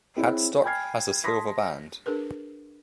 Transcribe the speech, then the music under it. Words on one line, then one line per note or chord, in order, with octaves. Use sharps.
Hadstock has a silver band.
C4 E4 G#4 C#5
G5 G#5 B5 F6 G#6 C7
A5 C6 D#6 A#6 B6
D4 G#4 A#4 B4